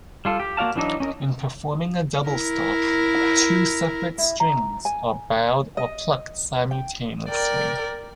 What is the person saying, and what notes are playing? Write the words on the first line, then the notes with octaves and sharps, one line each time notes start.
In performing a double stop, two separate strings are bowed or plucked simultaneously.
G3 F4 A4
G4
A#3 F#4 D5 F5 A5
E3 F#3 D4 D#4
C#4 A#4 D#5
E4 A#4
E4
A#5
G#5
D#5
G5
A#4 D5 G5